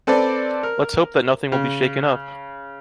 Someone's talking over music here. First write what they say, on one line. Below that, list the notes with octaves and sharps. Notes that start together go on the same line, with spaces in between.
Let’s hope that nothing will be shaken up!
C4 A4 B4 C5 D5
A#4
C#3